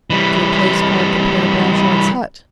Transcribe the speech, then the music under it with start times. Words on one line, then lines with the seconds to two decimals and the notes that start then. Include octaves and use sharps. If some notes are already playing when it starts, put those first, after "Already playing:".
"To a place called the Pere Blanchard's hut?"
0.10 E3 G3